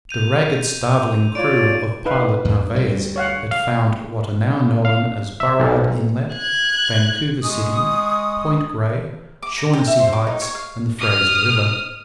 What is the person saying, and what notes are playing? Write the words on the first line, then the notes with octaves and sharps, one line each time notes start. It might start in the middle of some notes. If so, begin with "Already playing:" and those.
The ragged starveling crew of Pilot Narvaez had found what are now known as Burrard Inlet, Vancouver City, Point Grey, Shaughnessy Heights, and the Fraser River.
G6 D#7 F7
F4 C#5 D5 D7
D#4 B4 F5
E2
D2 G3
C#5 F5 F#5
F5
F5
E5
B1
F#6 G#6
G#3 G#5 C#6 D#6
D6
A#5
G4
E5
C5
D6
D#4
C#5
F5
D#6 F6